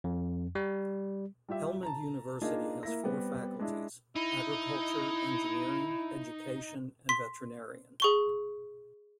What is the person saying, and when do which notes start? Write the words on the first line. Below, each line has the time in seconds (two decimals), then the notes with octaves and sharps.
Helmand University has four faculties, Agriculture, engineering, education and veterinarian.
0.04 F2
0.55 G3
1.49 G3 F4 G4 E5
1.83 A5 A#5
2.42 A#3 D4 D#4 F4 G#4 D#5
2.83 A#3 E4 A#6
3.04 G3 B3 C4
3.59 G#3 D4 E4
4.16 D#4 E4
7.09 C6 B6
8.00 G#4 C#6 G7